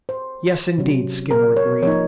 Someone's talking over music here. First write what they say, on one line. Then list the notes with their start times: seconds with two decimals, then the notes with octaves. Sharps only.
"Yes, indeed," Skinner agreed.
0.09 C5
0.78 C3 F#3 C#4
1.31 A#4
1.57 C#5
1.82 F3 C#5
1.85 A#3 D#4